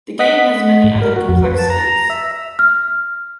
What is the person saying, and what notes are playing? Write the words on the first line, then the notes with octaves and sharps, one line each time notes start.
The game has many other complexities.
D#5 F#5 B6
G#2
A#4
F#4
F2
B4
A5
A#5
E5
F6